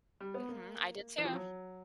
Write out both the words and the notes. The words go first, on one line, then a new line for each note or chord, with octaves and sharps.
Mhm. I did too.
G3
B3
A#3
E3
F3
F#3